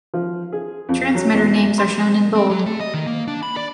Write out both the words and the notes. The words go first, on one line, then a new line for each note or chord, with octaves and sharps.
Transmitter names are shown in bold.
F3
G#4
F2
F#3
E2
C6
C4
F#3
A3
D#5
D#3
A#3
D4
B5
D5